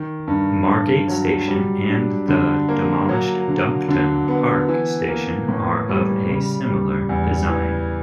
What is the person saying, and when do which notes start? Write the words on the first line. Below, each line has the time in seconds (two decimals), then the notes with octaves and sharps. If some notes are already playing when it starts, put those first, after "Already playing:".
Margate station and the demolished Dumpton Park station are of a similar design.
Already playing: D#3
0.27 G2
0.67 G2
1.08 F#3
1.48 G3
1.88 D4
2.28 D3
2.69 A#3
3.09 F#3
3.48 D3
3.88 D3
4.28 B3
4.68 E3
5.09 A#3
5.48 A2
5.89 G3
6.29 C#3
6.69 G3
7.09 E2
7.49 E3